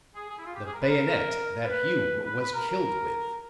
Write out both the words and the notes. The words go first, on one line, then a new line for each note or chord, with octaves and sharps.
"The bayonet that Hume was killed with."
G#4
G#4
E4
F4
G4
G#4
A#4
B4
A#4
B4
B4
B4
A#4
A#4